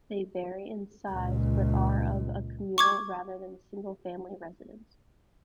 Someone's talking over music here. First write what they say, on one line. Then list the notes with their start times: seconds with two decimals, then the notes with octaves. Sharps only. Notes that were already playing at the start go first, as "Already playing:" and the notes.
They vary in size but are of a communal rather than single-family residence.
1.11 C#2 A#2
2.78 C#6 D6 G#6